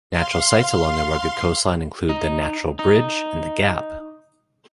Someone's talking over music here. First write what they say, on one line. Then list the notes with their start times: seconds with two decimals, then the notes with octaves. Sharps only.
Natural sights along the rugged coastline include the 'Natural Bridge' and the 'Gap'.
0.11 F5 C6
2.09 D#4
2.79 D#4